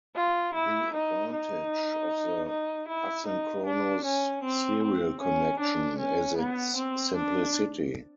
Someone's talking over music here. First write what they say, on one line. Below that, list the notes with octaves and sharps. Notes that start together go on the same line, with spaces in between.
The advantage of the asynchronous serial connection is its simplicity.
F4
E4
D#4
D#4
D#4
E4
D#4
D4
C#4
C4
C4
C#4
D4
C#4
B3
C4
D4